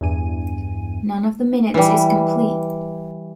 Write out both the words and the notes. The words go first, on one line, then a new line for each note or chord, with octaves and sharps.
None of the minutes is complete.
E2 G2 G#5 D#7
E3 G3